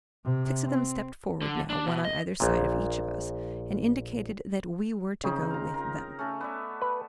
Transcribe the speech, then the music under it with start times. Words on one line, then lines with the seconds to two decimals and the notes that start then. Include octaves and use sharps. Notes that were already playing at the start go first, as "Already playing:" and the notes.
Six of them stepped forward now, one on either side of each of us, and indicated that we were to go with them.
0.24 C3
0.66 C4
1.42 D3
1.70 D4
1.87 B2
2.05 D#5
2.40 A#1 A#2
5.24 C#3 C4 D#4
5.51 F5 A#5
5.74 F4 A#4
6.19 A3 C#4 A4
6.41 B3 D5 E5
6.82 B4